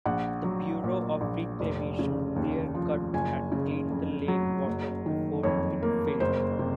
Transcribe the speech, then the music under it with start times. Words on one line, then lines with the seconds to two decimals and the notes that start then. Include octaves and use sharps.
The Bureau of Reclamation clear cut and cleaned the lake bottom before it filled.
0.06 A#1 F#5
0.44 F#3
0.84 A#2
1.21 A#1
1.60 F1
1.99 C#3
2.36 D#2
2.75 F3
3.13 F#1 G#5
3.52 C#3
3.91 F2
4.28 F#3
4.67 F#1
5.06 D#3
5.43 F2 C#5
5.83 A#3
6.20 F#1 C5
6.59 C3